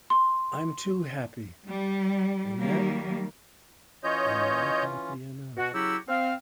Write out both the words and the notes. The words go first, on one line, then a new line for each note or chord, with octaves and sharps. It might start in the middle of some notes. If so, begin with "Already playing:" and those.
I’m too happy; and yet I’m not happy enough.
C6
G3
D#3 F#3 G3 A#3
E3 C#4 F4 C#5 D#5 G6
B2 F#4
C#3 F#3 E4 F#4 G4 E6
C4 F5